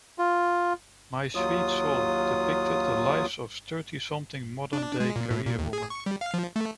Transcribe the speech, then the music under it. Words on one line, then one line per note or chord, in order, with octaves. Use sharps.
"My Sweet Seoul" depicted the lives of thirty-something modern-day career women.
F4
D#2 F#3 F4 D#6
D4
G#3
A#2
A2
A#2
D#2
G#4
C#6
G3
F5
F3
A3